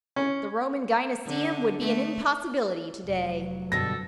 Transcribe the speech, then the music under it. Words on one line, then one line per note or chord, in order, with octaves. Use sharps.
The Roman Gynaeceum would be an impossibility to-day.
C#4
D3
A3
F1 F#3
G2 B2 D3 A4 A#6